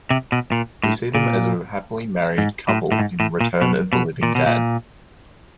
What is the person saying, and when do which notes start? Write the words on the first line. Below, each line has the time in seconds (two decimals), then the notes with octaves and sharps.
We see them as a happily married couple in "Return of the Living Dad".
0.10 C3
0.32 B2
0.52 A#2
0.83 A2
1.15 A#2
2.38 G#2
2.69 A2
2.92 A2
2.99 G#2
3.20 A2
3.41 A#2
3.62 B2
3.93 B2
4.23 A#2
4.35 B2
4.46 A#2